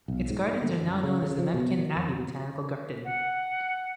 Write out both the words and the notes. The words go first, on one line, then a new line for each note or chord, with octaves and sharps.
Its gardens are now known as the Mepkin Abbey Botanical Garden.
B1
G#2
D3
F#2
C#3
C#3
F3
B2
D#3
F2
F#5